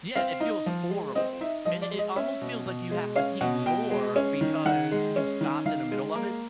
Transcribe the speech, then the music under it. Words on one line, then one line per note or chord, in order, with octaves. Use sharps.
Yeah, it feels horrible. And it it almost feels like you have to pee more because you stopped in the middle of it.
C4 F5
D#4
F3
G#3
C4 D#5
D#4 E5
F3 D#5
D5
G#3
D#5
C#4 E5
B2
B2
G#3
C#4 F5
B2 F#5
B2 G5
G#3
C#4
D#3
D#3 F#5
G#3
C#4
D#3
D#3 F5
G#3
A#3